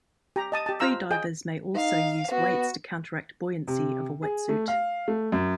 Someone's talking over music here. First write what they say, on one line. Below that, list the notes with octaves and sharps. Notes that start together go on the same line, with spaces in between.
Free divers may also use weights to counteract buoyancy of a wetsuit.
G4 A#5
D#5 A5 D#6
G4 A5
F4 C5 F5 A#5 E6
G#4 D#5 G5
D#4 F5
B3 F#4
C3
G#4
A3
F5
A3
F#2